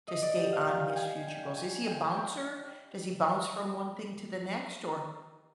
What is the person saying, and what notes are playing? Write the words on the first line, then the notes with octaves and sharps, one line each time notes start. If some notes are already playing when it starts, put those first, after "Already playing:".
to stay on his future goals? Is he a bouncer? Does he bounce from one thing to the next, or,
D#5
D5
G4
F5
G5
G5 G#5
G5
G#5
G5
G5